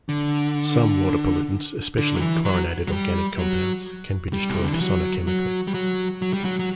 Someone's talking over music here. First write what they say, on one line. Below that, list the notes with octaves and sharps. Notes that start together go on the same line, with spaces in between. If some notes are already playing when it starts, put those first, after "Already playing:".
Some water pollutants, especially chlorinated organic compounds, can be destroyed sonochemically.
D3
D3
F#3
E3
F#3
F#3
G3
F#3
G3
B2
C3
D3
E3
F#3
F#3
G3
F#3
F#3
G3
F#3
F#3